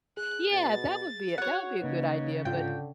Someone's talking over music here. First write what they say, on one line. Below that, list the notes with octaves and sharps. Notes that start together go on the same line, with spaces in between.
Yeah, that would be that would be a good idea, but
G#4 F#6
B2 A6
F#4 C#5 F#5
C#3 A#3 D#4 B4
G#2 D3 F4 F5 G5